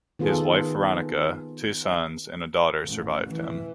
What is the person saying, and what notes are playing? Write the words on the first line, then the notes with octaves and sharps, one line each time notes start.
His wife Veronica, two sons, and a daughter survived him.
D#3 B3 F4 G#4 A4
A1
E3